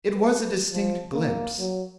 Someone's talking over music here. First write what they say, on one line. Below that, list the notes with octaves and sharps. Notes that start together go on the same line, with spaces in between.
It was a distinct glimpse.
B4
F3
A#3
F#3